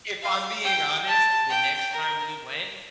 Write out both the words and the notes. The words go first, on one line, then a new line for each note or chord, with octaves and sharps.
if I'm being honest, the next time we went
F5
G5
A5
G5
A#4